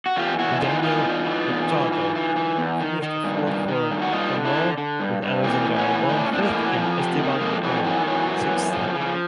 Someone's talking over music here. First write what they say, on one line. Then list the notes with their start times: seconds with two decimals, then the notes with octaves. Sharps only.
Daniel Ricciardo finished fourth for Renault with Alexander Albon fifth and Esteban Ocon sixth.
0.06 F#4
0.17 E2 F4 G4
0.39 E2 E4 F#4
0.52 E4
0.61 E3 D#4 F4
0.79 F#4
0.83 E3 D#4 F4
1.04 E2
1.26 E3
1.49 E2
1.71 E3
1.92 E3
2.15 E3
2.36 E3
2.58 E2
2.80 D#3
3.02 D#3
3.24 G2
3.47 D#3
3.68 D#3
3.91 G2
4.02 F#4
4.12 G2 D#4 F4
4.34 D3
4.45 D4 E4
4.55 D3
4.78 D3
5.00 G2
5.22 G2
5.43 E3 A#3 C4
5.66 A2
5.76 B3 C#4
5.88 E3
6.09 A2 D#4
6.17 D4
6.26 C#4
6.31 A2 C4 D4
6.43 G#3 A#3
6.54 E3
6.65 F#3
6.75 F2 F3
6.98 C3
7.19 D#3
7.41 F2 G#3 A#3
7.63 F2 E3 F#3
7.84 D#3 E3 F#3
8.06 F#2 E3 F#3
8.29 E3
8.50 F#2
8.72 C#3 F3
8.95 C#3
9.00 E3
9.06 F3